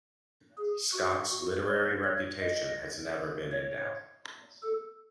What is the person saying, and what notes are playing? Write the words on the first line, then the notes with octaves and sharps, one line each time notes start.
Scott's literary reputation has never been in doubt.
G#4
F#4
F#4
C#5
C#5
D#5
C#5
A4